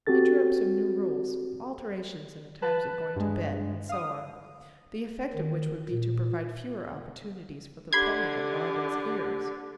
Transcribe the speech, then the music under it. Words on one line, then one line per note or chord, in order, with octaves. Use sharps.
He drew up some new rules--alterations in the times of going to bed, and so on--the effect of which would be to provide fewer opportunities for the pulling of Varden's ears.
C4 F#4 G4 A4 A6
B4 A5 F#6
G2 G#3
F5 D#6
D#3
A#2
D3 G4 B5 C6 G#6